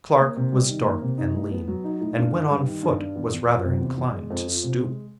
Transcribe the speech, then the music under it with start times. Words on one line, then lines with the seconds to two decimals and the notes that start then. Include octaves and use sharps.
Clark was dark and lean, and when on foot was rather inclined to stoop.
0.20 A#3
0.37 C3
0.52 G3
0.69 D#3
0.85 A#3
1.02 C3
1.18 D#4
1.34 A2
1.51 B3
1.68 F#3
1.84 D#4
2.01 A2
2.17 G2
2.33 G2
2.50 G3
2.67 D#3
2.83 G2
2.99 G2
3.16 E2
3.32 E2
3.48 F3
3.65 C3
3.81 E2
3.97 E2
4.14 G#3
4.30 F2
4.47 F3
4.63 C3
4.80 G#3